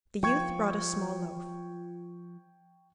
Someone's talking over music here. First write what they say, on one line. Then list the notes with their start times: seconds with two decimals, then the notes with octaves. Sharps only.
The youth brought a small loaf.
0.23 F3 G5 C#6 G#6